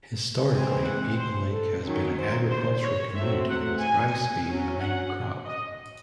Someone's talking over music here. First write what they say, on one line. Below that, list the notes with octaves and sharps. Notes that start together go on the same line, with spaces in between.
Historically, Eagle Lake has been an agricultural community, with rice being the main crop.
E3 G#3 C4 G#5
F#5
C5
A4
D#3 F#3 C#4
C5
C5
C#5
F#3 A3 C4 E5
F#5
G#5
F#3 C#4
F#5
D#5